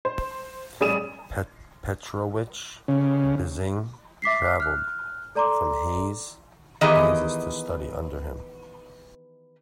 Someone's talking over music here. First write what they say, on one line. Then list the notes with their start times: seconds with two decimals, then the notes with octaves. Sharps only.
Petrowitsch Bissing traveled from Hays, Kansas to study under him.
0.05 C5
0.80 A1 G3 G#4 D#6 D#7 E7
2.88 C#3
4.22 E5 D6 B6 C7
4.60 F6 F#6
5.35 A4 D5 A#5 C6 D6
6.81 D#3 E3 B3 G4 G#4 D#5